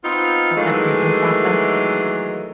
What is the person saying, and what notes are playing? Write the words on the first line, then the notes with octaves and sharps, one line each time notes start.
of the grieving process.
B3 C4 D#4 F4
D#3 E3 F#3 G#3 A3